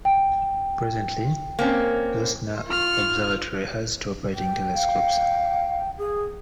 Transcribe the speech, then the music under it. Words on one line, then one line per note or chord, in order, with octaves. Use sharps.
Presently, Leuschner Observatory has two operating telescopes.
G5
A#3 C4 C#4
F4 F6
G5
F5
G#4